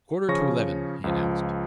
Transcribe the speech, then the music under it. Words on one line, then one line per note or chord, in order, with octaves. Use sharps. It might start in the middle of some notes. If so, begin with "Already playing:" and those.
"Quarter to eleven," he announced.
C#3 F3 C#4 C#6 A#6
C#2 F3